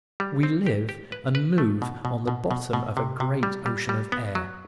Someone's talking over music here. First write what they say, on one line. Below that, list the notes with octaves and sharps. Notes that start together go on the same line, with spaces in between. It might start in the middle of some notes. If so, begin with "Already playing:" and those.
We live and move on the bottom of a great ocean of air.
G3
C4
G4
G4
B4
B4
A3
B2
B2
B2
B2
B2
C3
C3
G3
G3
G3
B3
F#3